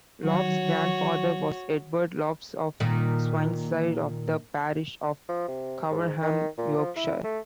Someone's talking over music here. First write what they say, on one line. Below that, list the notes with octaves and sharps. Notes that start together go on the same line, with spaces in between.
Loftus's grandfather was Edward Loftus of Swineside, of the parish of Coverham, Yorkshire.
D#3 F#3 F#4 C#5
A#2 D#3
F3
C3
G#2
D#3
A#2
F3
E4
A3